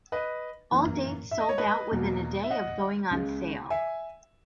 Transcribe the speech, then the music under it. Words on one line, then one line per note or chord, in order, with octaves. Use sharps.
All dates sold out within a day of going on sale.
B4 D#5
F#2 E3 A#3
E5
D#5
C#5
B4 D#5
E2 B2 F#3 A#3
E5
D#5 F#5
C#2 C#3 G#3
E5 G#5